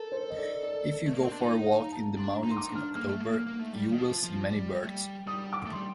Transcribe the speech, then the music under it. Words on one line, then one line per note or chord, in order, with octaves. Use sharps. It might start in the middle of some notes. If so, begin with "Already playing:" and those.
If you go for a walk in the mountains in October, you will see many birds.
Already playing: A4 A#4
C5
D#5
D5
D5
A3
A#3
C4
D4
D#4
F5
A#5
A5
D4 C6
A#5
D#4
C6
D6
D#4
D4
F6
A#3 F6
A3
A#3
F6
A#3
A3
G3
D#3
F3
F3
G3
A3
G3
G3 D#6
D6
A3
C6
G3